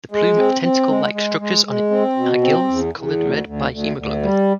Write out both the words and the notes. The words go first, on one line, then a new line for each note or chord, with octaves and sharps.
The plume of tentacle-like structures on it are gills, coloured red by haemoglobin.
G#3
C4
C4
G#3
G#3
G#3
G#3
C4
B2
C4
E2
E2
D2
D2
D2
D2
G3